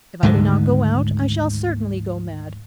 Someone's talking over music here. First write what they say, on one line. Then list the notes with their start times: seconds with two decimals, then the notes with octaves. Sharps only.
If I do not go out, I shall certainly go mad.
0.23 D2 G#2 D3 D#3